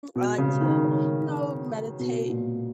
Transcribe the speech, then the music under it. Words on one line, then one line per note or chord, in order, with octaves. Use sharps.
I like to, you know, meditate.
B2
C#3
D#3
C#3
B2
A#2